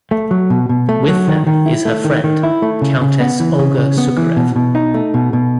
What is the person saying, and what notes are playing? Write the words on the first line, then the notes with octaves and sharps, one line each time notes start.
With them is her friend, Countess Olga Sukarev.
A3
F#3
B2
B2
A3
F#3
D#3
D#3
E4
A3
D#3
D#3
E4
A3
C#3
C#3
B3
E3
C#3
C#3
B3
E3
B2
B2
D#4
A3
B2
B2